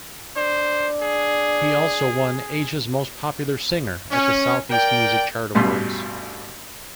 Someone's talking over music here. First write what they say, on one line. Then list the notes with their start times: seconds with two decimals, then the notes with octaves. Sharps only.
He also won "Asia's Most Popular Singer" at the South East Music Chart Awards.
0.36 D4 C5
1.02 G#4
4.10 C#4
4.70 A#4 D5 G5
5.55 A1 G2 B2 G3 C6